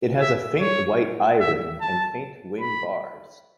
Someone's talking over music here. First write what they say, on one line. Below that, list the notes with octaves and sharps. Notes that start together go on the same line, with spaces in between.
It has a faint white eye ring and faint wing bars.
E5
C#5
E5
A5
B5